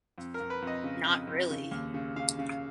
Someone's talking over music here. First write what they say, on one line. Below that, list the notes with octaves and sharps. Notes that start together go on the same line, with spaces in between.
Not really.
F2
A#4
F2
B4
F2
D#5
C#3
F2
F2
C#3
D#2
C#3
C#3 F5
C#3